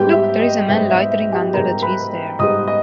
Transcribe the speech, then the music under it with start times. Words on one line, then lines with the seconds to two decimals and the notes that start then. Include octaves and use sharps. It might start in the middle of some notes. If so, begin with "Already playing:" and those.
Look, there is a man loitering under the trees there.
Already playing: G#2 G3 B3 G4 G5
0.11 E5
0.40 D#5
0.68 G#2 G3 B3 E5
0.90 E5
1.11 E5
1.32 G4 G5
1.54 G#2 G3 B3 A#4 A#5
1.82 B4 B5
2.39 G#2 G3 B3 D#5 D#6
2.68 D#5